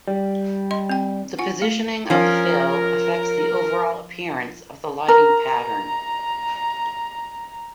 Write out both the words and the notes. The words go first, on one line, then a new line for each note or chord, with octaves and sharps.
The positioning of the fill affects the overall appearance of the lighting pattern.
G3
D#5 C6
C4 G5
F4 F#5 G#5
A3
F3 C#4 A#4
A#4 A#5